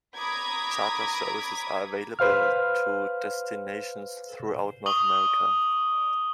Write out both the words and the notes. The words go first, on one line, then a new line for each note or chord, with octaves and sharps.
Charter services are available to destinations throughout North America.
A#5 B5 D6 D#6 G#6 B6
B4 C5 F5 F6
C#6 D#6 F#7 G7